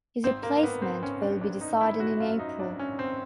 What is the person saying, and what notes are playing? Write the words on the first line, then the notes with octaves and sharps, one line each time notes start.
His replacement will be decided in April.
G#1 C4
A#3
A#3
G#1 B3
C4
G#1 C#4
D4
G#1 D4
D#4
D#3 E4
F#4
F#2 F4
D#4
G#1 D4
C#4
G#1 C4